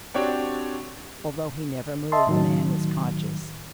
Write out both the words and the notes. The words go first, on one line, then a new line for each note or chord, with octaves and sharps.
Although he never moved, the man was conscious.
C4 D4 F#4 G4 C#5 D5
D#5 E5 A5 C6
A2 D#3 F#3